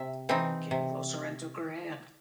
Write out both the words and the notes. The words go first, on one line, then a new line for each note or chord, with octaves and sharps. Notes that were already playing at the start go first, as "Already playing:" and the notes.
He came closer and took her hand.
Already playing: C3 E5
E3 C4 D#4
C3